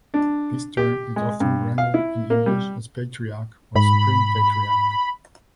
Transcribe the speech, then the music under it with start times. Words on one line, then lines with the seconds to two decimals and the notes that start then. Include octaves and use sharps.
This term is often rendered in English as 'Patriarch' or 'Supreme Patriarch'.
0.14 D4
0.77 G4
1.16 G#3
1.40 G2
1.78 F5
1.94 E4
2.30 A#3
2.46 G3
3.75 G#2 B5